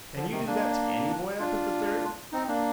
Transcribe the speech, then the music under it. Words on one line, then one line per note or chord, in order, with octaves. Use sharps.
"Can you do that to any boy up at the Third?"
D3 F3
C3 D#3
A#3 D4
D4 F4
C4 D#4
A#3 D4